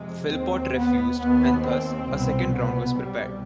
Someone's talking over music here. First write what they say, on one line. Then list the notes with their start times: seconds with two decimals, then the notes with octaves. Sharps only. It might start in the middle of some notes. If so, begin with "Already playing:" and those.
Philpot refused and thus a second round was prepared.
Already playing: F2 C3 G#3
0.30 D#2 C4
0.74 B3
1.19 D#2 B3
1.63 C4
2.09 C2 B2
2.54 B3
2.98 C2 B2 G3